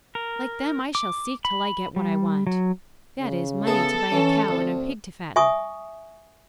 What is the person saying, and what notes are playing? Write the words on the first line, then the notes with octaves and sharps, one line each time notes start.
Like them, I shall seek till I get what I want--that is, money to buy a cow and a pig to fatten.
A#4
D6
B5
G3
F#3
C#3
B3 G#4 A4 E5
E3 C#4
D2 C4
E5 G#5 C#6 D#6